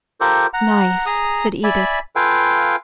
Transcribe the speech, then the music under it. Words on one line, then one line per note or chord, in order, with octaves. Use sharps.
"Nice!" said Edith.
F4 G4 A4 A#4 C5
F#5 A#5
G#4 A#5 D#6
D5 E5 G#5 B5
F4 A4 B4 F5 G5 G#5